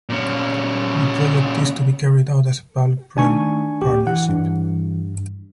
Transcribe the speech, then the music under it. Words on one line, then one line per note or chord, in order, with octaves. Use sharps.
The project is to be carried out as a public-private partnership.
A#2 C#4
D#3 A3 D4 G#5 C#6
D1 G4
E3 F#5
G2